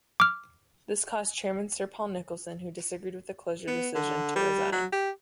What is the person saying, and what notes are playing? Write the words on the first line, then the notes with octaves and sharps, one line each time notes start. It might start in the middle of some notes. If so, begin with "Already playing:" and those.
This caused Chairman Sir Paul Nicholson, who disagreed with the closure decision, to resign.
D6 F6
B3
D3
G3
F#3
G4